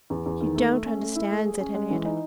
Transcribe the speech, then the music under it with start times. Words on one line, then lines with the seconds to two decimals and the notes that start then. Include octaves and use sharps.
"You don't understand," said Henriette.
0.10 E2
0.26 E2
0.41 D#3
0.55 A3
0.70 A3
0.86 C#4
1.01 A3
1.16 E4
1.30 A3
1.46 G#4
1.60 C#4
1.75 G#3
1.90 E3
2.05 D#4